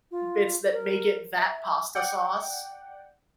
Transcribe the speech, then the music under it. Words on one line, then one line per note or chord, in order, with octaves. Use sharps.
bits that make it that pasta sauce.
F4
A#4
E5
D5 F#5 G5